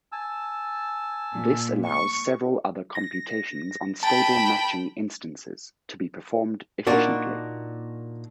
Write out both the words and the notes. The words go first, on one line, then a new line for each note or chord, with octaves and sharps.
This allows several other computations on stable matching instances to be performed efficiently.
G#5 A5 E6
A#2
C#6
A#6
G5 A5 B5
A#2 A#3 D4 D#4 F#4